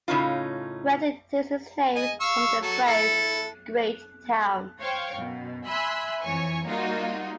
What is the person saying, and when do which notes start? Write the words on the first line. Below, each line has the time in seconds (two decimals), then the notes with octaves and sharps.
Gretton takes its name from the phrase "Great Town".
0.08 A2 C#3 C#4 D#4 F4
1.95 D#5 G#5
2.20 F5 C#6 E6
2.62 F#3 A4
2.85 E4 A4
4.80 C5 C#5 F5 G5 C#6
5.14 F#2 B2
5.65 E5 G#5 B5 C6 E6 F#6
6.21 F2 E3 C#5 G#5 C#6
6.66 G3 A#3 D#4 F4 F#4